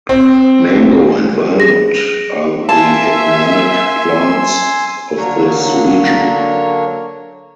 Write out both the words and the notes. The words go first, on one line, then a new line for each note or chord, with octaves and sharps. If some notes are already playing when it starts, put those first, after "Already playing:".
Mango and walnut are the economic plants of this region.
C4
G#4 A#6
A#3 E5 G#5 A5 C6 E6
D3 F#3 A#3 D4 A#4 C#5